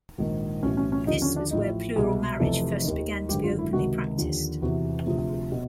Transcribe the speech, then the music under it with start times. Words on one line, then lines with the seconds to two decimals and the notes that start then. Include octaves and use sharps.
This was where plural marriage first began to be openly practiced.
0.18 A#1 G#2 D#3
0.63 B1 A2 E3 C#4
0.77 C#4
0.92 C#4
1.07 D#2 D3 F3 D#4
1.22 C#4
1.36 D4
1.51 A1 A2 F3 D#4
1.96 C2 B2 G#4
2.40 F1 F2 C3 E3 A4
2.84 D#2 D#3
3.29 G#1 F#2 D3 G4
3.44 F4
3.59 E4
3.73 C#2 C3 D#3 F#4
4.18 D#2 D3 F3
4.62 E2 C3 E3 F#4
5.06 D2 C3 F3
5.52 B2